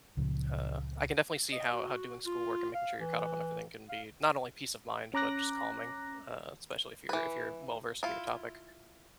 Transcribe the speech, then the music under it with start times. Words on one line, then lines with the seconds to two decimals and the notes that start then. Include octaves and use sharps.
uh, I can definitely see how how doing schoolwork and making sure you're caught up on everything can be, not only peace of mind, but just calming, uh, especially if you're if you're well-versed in your topic.
0.17 C#2 A#2 C#3 F3
1.52 D#5
1.73 F#4
2.26 F4
2.75 F5
3.00 E3
3.89 F5
5.14 C#4 A#5 D6 F#6 A#6
7.09 E3 B4
8.03 E4 F4